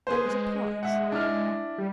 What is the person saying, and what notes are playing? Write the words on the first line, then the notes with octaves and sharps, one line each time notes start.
There was a pause.
G#4 B4 C5
G#3
E5 F#5
D4 E4 F6
G3